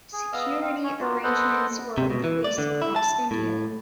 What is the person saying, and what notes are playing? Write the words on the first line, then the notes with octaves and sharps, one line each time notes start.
Security arrangements were increased across India.
G#4
B3 D#5 F5 E6 F6
C4 F5
C#4 C#5 C#6
A#3 F4 F#4
A4 B4 C5 D#5 F#5
C3
B2
E3
D5
D3
E4
A5
A2